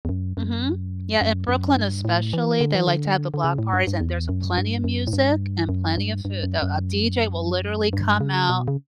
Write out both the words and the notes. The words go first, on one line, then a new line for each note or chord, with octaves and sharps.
mhm, yeah, in Brooklyn, especially, they like to have the block parties, and there's a plenty of music, and plenty of food though, a DJ will literally come out
E2
F#2
F#2
F#2
F#2
G2
A2
E3
D3
E3
D3
D3
C#3
A2
G2
G2
E2
F#2
G2
F#2
A2
G2
F#2
G2
G2
F#2
F#2
G2
C#3
B2
C#3